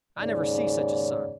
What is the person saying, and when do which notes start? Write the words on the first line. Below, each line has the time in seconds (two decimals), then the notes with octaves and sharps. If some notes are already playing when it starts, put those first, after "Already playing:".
I never see such a son.
0.18 D#2 G#2 C#3 C#5 D5